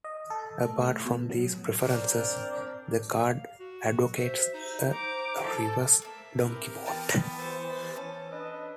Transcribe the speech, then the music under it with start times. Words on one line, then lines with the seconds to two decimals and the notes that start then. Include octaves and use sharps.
Apart from these preferences, the card advocates a reverse Donkey Vote.
0.04 D#5
0.30 A4
0.65 A3
1.05 B2
1.29 F#3
1.82 C4 D4 A#4 C5 D5
3.24 F5
3.59 F#4
4.16 C5 E5
4.54 D#4 C5
4.93 A#5 D6
5.46 A4
6.02 A#3 E5
6.39 C4 E4 G4 A#4 B4
6.86 E3 B3 D5 G5 A5 A6
7.39 E4 C5 C#6
7.97 C#4 A4
8.32 D4 B4 D#5